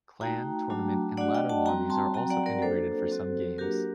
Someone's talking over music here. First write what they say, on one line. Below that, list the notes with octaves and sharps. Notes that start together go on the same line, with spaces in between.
Clan, tournament and ladder lobbies are also integrated for some games.
A3 D#4 F#4 G5 A#5
F#3 A3 D4 F#4
A3 D4 F#4 D5 F#5
D#5 G5
F#5 A5
G3 C4 F#4 G5 A#5
A5 C6
F#3 C4 F#4 G5 A#5
D5 F#5
A#4 D5
A#3 D4 F#4 A4 C5
F#3 C4 F#4
F#3 A#3 D4 F#4 G4 A#4